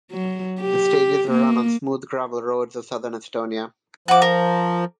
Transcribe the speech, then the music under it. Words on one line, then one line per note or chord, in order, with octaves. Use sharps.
The stages were run on smooth gravel roads of Southern Estonia.
F#3
G4
A#3
F3 F#4 D6
A#4